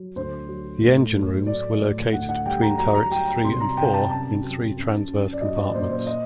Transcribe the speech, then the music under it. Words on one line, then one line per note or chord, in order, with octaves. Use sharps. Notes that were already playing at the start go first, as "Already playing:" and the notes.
The engine rooms were located between turrets three and four in three transverse compartments.
Already playing: F#3
D2 C5
F#3
A2
F#3
A2 D5
A2
D2 F#5
F#5
G3 G5
A#5
F#3 A#5
A#5
F#3 G5
A#5
C2 C6
A#5
C2 G5
A5
F#2 A5
F#3
F#2
F#2
D5
F#3 D#5
D5
A#2 C5
C5
D#5